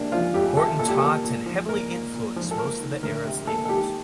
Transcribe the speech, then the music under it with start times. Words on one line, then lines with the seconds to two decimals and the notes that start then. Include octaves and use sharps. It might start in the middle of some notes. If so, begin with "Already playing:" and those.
Horton taught and heavily influenced most of the era's leaders.
Already playing: C3 A#3 D4
0.12 F3 F4
0.34 F2 G4
0.57 C3 A4
0.79 A#2 A4
0.89 G4
0.98 A#3 A4
1.24 A#2
1.46 F3
1.69 A#2 A#4
1.91 A#3
2.14 A#2
2.36 F3
2.51 A4
2.58 A#3 A#4
2.80 D#3
3.03 D2 A#4
3.25 C3
3.47 A#3 A4
3.65 A4
3.69 D#3 G4